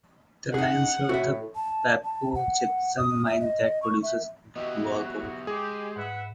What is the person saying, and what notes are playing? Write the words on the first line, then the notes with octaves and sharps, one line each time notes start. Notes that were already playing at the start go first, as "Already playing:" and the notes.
The line serves the Pabco Gypsum Mine that produces wallboard.
D#4 G#4 F#5
A2 F#4 E5
A5
A5
F#5
D#6
E5
D#5
C#6
E5
B3 E4 F#4 G4 D#5
G#3 G4 G#4
G#2 B4 E5 F#5